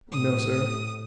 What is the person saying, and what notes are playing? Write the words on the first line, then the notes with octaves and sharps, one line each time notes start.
"No, sir."
A2 D#6